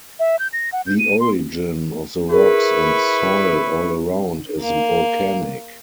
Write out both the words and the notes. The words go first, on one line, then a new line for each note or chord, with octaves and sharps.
The origin of the rocks and soil all around is volcanic.
E5
G6
A#6
F#5
G6
D#7
C6
E4 G#4 A#4 B4 C#6
A#3